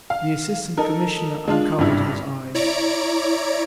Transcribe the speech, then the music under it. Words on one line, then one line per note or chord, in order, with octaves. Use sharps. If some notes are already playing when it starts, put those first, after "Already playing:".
The Assistant Commissioner uncovered his eyes.
F5
D#4 A4 A#4
G#3 D4 F4
G#1 G2 E4
E4 C#5 D5 A#5 D7